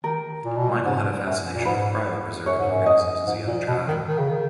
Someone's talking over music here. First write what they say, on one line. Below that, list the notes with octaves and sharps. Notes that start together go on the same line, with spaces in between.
Michael had a fascination with cryopreserving organisms as a young child.
D#3 A#4
A#2
B2
A#2
G#2
F#2
A#2
G#2 B4
F#2 C#5
G#2
F#2
D#5
G#2
A#2
B2
D#3
D#3
C#3
D#3